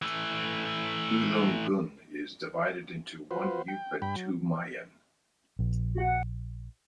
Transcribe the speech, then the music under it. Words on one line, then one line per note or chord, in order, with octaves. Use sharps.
Ulleung-gun is divided into one "eup" and two "myeon".
E3 A3
F4 F#4 B4 C5
G5
G2 G5 B5
F#3
A#1